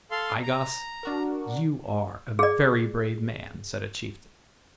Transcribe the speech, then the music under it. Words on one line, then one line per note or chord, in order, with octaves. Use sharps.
"I-Gos, you are a very brave man," said a chieftain.
A4 F5 C6
A#5
D4 F#4 A#4
G#4 D5